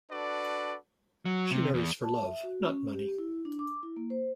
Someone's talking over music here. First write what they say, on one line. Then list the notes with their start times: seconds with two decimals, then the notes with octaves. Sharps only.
She marries for love, not money.
0.11 D4 F#4 A4 B4 D5
1.25 F#3
1.51 C3
1.74 E2
2.04 A5
2.25 E5
2.43 F#4
2.64 C#4
2.94 G4
3.18 E4
3.45 D4
3.59 D6
3.83 E4
3.96 A#3
4.10 C5